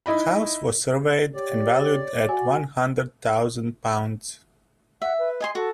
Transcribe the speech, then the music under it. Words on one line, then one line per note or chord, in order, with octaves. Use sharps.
The house was surveyed and valued at one hundred thousand pounds.
D#4 E4 D#5 B5
G4 C#5 D5
F#4 G#5
E5 F#5
B4
D#5 G#5 C6
F#4 A4